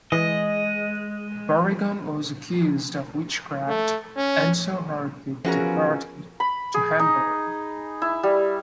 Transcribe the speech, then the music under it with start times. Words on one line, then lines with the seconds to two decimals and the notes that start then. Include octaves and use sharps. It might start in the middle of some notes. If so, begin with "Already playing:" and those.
Bourignon was accused of witchcraft and so hurriedly departed to Hamburg.
0.12 E3 G#3 D#5
3.69 A3
4.17 C#4
5.45 E3 F3 B3 C#4 F4 F#4 G#4 A#4
6.40 B5
6.74 G#4
6.99 D#4
8.02 E4
8.23 G3